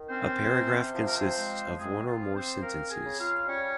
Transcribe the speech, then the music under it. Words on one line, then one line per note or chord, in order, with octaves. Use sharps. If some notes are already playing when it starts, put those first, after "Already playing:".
A paragraph consists of one or more sentences.
Already playing: D#3
C4 C#4 C5
C3
F3 C5
A#4
C4 C5
G#3
G#3 C4 G#4
F4
F3
C4 C5
A#3 C4 A#4
G#4 G#5
C#3
F4 F5
G3 C#4 C#5